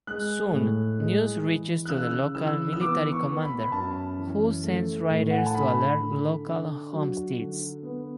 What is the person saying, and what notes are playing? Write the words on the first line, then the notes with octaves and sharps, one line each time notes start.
Soon news reaches the local military commander, who sends riders to alert local homesteads.
G#3 F#6
A2
G#3
E3
F#6
C#3 E6
E3 E6
E6
B3 D6
C#6
B3
B5
B5
F#2 A5
E3
A3
A2
F#5
G#5
A5
D3 B5
D3
D4
F#3
D3
B3